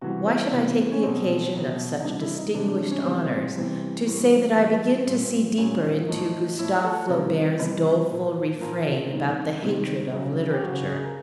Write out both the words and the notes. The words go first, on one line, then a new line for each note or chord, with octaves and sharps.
Why should I take the occasion of such distinguished honours to say that I begin to see deeper into Gustave Flaubert's doleful refrain about the hatred of literature?
C3 E3 G3 F#4
C4
C3 E3 G3 B3
C#4
B2 F#3 C4
B2 F#3
D#4
C3 E3 G3 D4
E4
D#4
C3 E3 G3 D4
D4
C#4
C3 E3 G3 C4
C3 E3 G3
A2 E3 G3
A2 E3 G3
A#2 G3 C4
A#2 G3 C#4
A2 F3 D#4
A2 F3 E4
A4
C3 E3 G3 A#4
C3 E3 G3 B4
A#2 F3
A#2 F3 A#4
C3 D#3 G3
C3 D#3 G3
C#3 F#3
G4
C#3 F#3 F#4
G#4
A#4